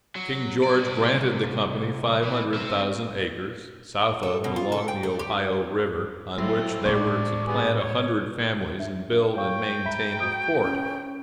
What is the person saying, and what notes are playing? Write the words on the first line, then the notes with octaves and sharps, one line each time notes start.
King George granted the company five hundred thousand acres, south of and along the Ohio River, on which they were to plant a hundred families and build and maintain a fort.
F#3
C2 D5
E3
C4 E5
A4
B2
F4
A4
G5
A3
G4
F#3 A3 C4 E4
A2 G#3 D4 C#6
B3 G4 G#4
C#5
D4 E5
C#5 F5 G5 C#6
E5 A#5 B5 B6
F#4 D#6
C#4